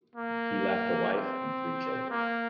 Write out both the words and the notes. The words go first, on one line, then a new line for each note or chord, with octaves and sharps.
He left a wife and three children.
A#3
C4
A#3